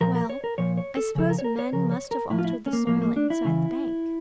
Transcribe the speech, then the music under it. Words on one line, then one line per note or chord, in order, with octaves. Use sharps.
Well, I suppose men must have altered the soil inside the bank.
A#2 F3 A#4
A#4
C#5
A#4
A#2 F3 C#5
C#5
A4
C#3 F3 A4
A#4
C#5
A#4
C#5
C#3 F3 A#4
C#5
A#4
A2 F3 E4
F4
E4
C#4
A#3
A2 F3 A#3
A#3
D4
E4
C#3 E3